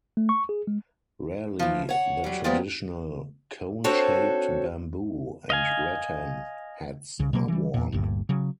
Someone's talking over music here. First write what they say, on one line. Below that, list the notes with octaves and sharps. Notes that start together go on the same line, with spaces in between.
Rarely, the traditional cone-shaped bamboo and rattan hats are worn.
A3
C#6
G#4
G#3
E3 F3
C#5 F#5
F#3 G3
F3 G3 G#3 A#3 B3
C4 D4 F#4 A4 C5 C#5
D#5 F5 G#5
C2 C#3
B2 F#3 A#3
E3 G3
E2 A#2
G1 D2 G2 A#2
C#3 F#3